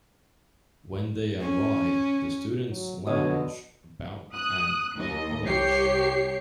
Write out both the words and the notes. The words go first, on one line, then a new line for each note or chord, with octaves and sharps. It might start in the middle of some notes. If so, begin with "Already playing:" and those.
When they arrive, the students lounge about and eat a lunch.
C#4
F#3
B2 D3 C#5 D#5
D#6 F#6
D#2 D#5
C2 G4 C#5 C7 C#7